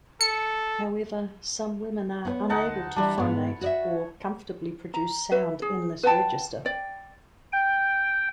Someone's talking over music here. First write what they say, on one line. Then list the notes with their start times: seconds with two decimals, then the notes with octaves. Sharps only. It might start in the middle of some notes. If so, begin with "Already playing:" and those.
However, some women are unable to phonate or comfortably produce sound in this register.
0.21 A4 C#7
2.25 B3 B4 C#5
2.50 D2 D#4 F#5 A5
2.96 E3 G3 D4 B5
3.18 G#2 B3 C#5
3.61 F#4 D5 E5
4.94 A#5
5.32 B4 E5
5.62 G#4
6.03 B4 F#5 G5 A5
6.65 D5 G5
7.53 G5